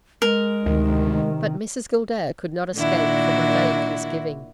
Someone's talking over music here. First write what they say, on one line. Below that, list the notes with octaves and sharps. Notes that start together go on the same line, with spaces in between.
But--Mrs Gildea could not escape from a vague misgiving.
G#3 A#4
D2 C3 D#3
A#2 D#3 D4 E4 F#4